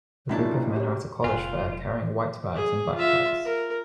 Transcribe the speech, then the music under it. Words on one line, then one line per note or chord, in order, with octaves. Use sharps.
A group of men are at a college fair carrying white bags and backpacks.
B1 A#2 C#4 D4 E4 A5
G4 C#5
F1 C4 F4 B4 G#5
G#4
F4 E5
A#4